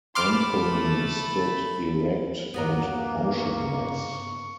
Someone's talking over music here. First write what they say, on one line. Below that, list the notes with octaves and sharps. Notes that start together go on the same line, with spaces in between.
Anthony stood erect and motionless.
A3 A5 B5 C6 D6 F6
G2 A#3 B3 F#4 A#4
C#6